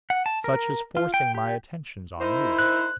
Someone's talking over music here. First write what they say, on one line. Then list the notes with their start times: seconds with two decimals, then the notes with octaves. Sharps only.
Such as forcing my attentions on you.
0.10 F#5
0.26 A5
0.44 A#4
0.97 F4
1.14 G5
1.35 G4
2.21 D#4 E4 A#4 C5
2.59 F#6